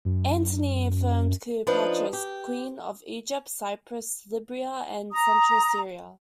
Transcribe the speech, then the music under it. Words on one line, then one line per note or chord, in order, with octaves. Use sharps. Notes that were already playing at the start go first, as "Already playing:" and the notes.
Antony affirmed Cleopatra as queen of Egypt, Cyprus, Libya and central Syria.
F#2
F3 D4 D#4 F4 B4
G4
A#5 D#6